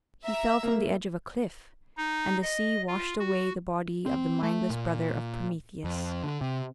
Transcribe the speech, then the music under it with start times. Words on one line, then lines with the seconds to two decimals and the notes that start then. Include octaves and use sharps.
He fell from the edge of a cliff, and the sea washed away the body of the mindless brother of Prometheus.
0.23 E5 A#5
0.63 A#3
1.97 D#4
2.42 D#5
2.88 F4
3.20 F#4
4.06 C4
4.43 A3
4.70 A#2
5.84 F2
6.24 D3
6.41 C3